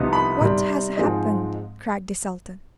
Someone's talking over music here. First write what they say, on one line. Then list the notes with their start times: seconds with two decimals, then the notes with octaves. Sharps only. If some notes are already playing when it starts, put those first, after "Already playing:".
What has happened?' cried the Sultan.
Already playing: C2 C3 F3 B3 D#4
0.13 B5
0.41 C3 G3 C4 D#4
0.97 G#2 F3 G#3 C4 D#4